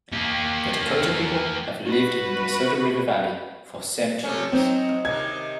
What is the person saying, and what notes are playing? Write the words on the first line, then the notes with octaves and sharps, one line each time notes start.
The Dakota people have lived in the Minnesota River Valley for centuries.
A#3 G4
F#4 B4
C3 A3 C#4
F#3 C4 D#4
C3 D#3 G#6